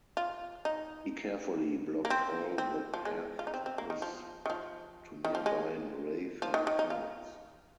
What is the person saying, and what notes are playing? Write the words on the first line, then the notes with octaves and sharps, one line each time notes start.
He carefully blocked all the paths to nearby Maratha forts.
F4
D#4
A#3
C4
C4
F3
G#3
F4
D#4
C4
C4
A#3
D#3
F3
D#3
F3
D#3
F3
G#3
F3
D#3
D#3
D#4
F4